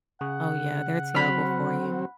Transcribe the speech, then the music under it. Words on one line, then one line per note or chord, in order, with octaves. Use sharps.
Oh yeah, they're terrible for you.
C#3 F#5
F#3 C4 B5 F6